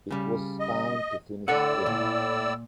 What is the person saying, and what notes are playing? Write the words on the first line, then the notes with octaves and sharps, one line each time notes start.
It was time to finish him.
C#3 G3
D#5
A2 D3 A4 D5 F#5 E6
A#2